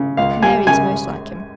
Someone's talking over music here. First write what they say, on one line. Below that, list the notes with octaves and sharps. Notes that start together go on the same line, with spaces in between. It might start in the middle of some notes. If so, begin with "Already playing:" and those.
Mary is most like him.
Already playing: C#3
C#2 F5
G3 G#5
C#3 G#5